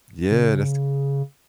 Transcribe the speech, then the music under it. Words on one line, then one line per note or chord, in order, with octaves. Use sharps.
Yeah, that's t
C#3